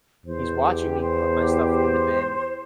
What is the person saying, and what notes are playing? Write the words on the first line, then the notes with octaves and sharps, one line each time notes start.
He's watching me put my stuff in the bin,
E2 C5
G4
C5
G4
C5